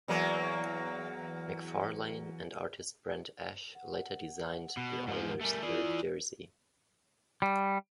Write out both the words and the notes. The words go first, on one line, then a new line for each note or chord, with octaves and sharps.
McFarlane and artist Brent Ashe later designed the Oilers' third jersey.
E2 F#3 A#3
F#5
B2
G#2 F3
G3 A3 A#4 G#5
E3 E4 F4 G#4 D5
G3